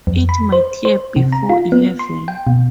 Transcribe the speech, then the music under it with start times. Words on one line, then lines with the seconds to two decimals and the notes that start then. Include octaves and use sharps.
It might clear before eleven.
0.07 F2
0.29 B5
0.52 C5
0.85 C5
1.16 C3
1.33 A#5
1.49 F4
1.72 B3
1.99 C6
2.28 G5
2.47 B2